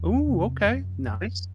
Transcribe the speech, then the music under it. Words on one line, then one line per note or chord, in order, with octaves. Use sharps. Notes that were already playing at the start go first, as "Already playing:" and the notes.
Ooh, okay, nice.
Already playing: E2
C3
F#2
F#2